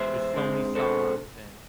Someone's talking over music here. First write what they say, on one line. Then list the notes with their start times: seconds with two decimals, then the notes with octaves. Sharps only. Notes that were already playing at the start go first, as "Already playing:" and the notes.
there's so many songs, and
Already playing: E3 G#3 B3 C5 E5
0.34 D3 G#3 C4
0.75 A4 C5